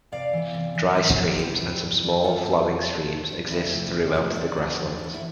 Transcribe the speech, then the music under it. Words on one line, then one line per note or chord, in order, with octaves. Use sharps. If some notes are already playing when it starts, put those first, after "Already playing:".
Dry streams and some small flowing streams exist throughout the Grasslands.
C3 D5 F5
E3 B3
C3
E3 B3
F2 C5 E5
C3 F3 C4
F2 G4 B4
C3 F3 C4
G2
E3 G3 C4
G2 F4 A4
E3 G3 C4
B2
G3 C4
B2
G3 C4
D2 E4
C3 F3 A3 C4
D2
C3 F3 A3 C4
F2 D4
E3 B3
F2
E3
B3
E4